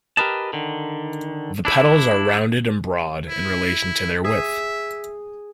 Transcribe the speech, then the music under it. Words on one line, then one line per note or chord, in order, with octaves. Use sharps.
The petals are rounded and broad in relation to their width.
G4 A#4 B4 D#5 A5
D3 D#3
D4 E4
E4
G#4 E5